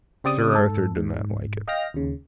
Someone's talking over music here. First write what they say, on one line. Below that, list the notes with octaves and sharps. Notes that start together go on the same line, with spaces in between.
Sir Arthur did not like it.
C#3 C4 G4 D5 D6 D#6
G#2 A4
G#2
D#5 F5 G5 F6 A#6
D#2 C#3